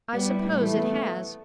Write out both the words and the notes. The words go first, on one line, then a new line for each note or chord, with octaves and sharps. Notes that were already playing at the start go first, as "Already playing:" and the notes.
I suppose it has.
G3 B3
E4
A2
E3 A3
B3